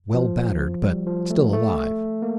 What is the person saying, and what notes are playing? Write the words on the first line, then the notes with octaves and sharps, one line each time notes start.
Well battered, but still alive.
F3
G3
F3
A3
A3
A#3